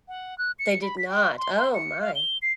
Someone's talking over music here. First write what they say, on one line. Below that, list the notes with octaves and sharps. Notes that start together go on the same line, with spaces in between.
They did not. Oh my.
F#5
F#6
C#7
B5
B6
G5
C6
C6
C#7
F5
G7
C7